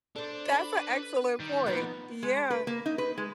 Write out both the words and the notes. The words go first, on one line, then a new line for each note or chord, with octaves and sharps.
That's an excellent point. Yeah.
D4 A4 C5
B5
B4
D#3 G3
F3 A#3 B3 D#4
G#3
B4
A#3
D#4
B4
G#3